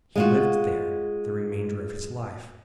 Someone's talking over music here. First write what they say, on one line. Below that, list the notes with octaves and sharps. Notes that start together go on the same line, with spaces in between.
He lived there the remainder of his life.
G#3 F4 F#4